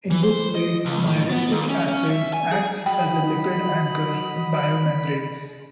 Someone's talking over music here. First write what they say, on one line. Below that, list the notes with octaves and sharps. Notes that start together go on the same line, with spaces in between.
In this way, myristic acid acts as a lipid anchor in biomembranes.
E3
C5
D#5
C#2
A2
B3
D#2
C#4
C#4
E5
G#5
G#4
F#3 D#5 G5 B5